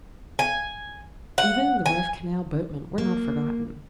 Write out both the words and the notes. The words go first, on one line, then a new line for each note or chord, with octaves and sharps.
Even the rough canal boatmen were not forgotten.
G#5
F#5
G#5
A#3